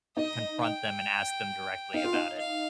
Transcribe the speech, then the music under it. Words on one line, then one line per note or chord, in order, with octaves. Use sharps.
confront them and ask them directly about it.
D#4 D#5
G5
D#4 F5
F4
D#4
F5